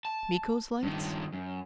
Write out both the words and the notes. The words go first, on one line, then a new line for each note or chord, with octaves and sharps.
Miko's lights?
A5
G2 D#3
F#2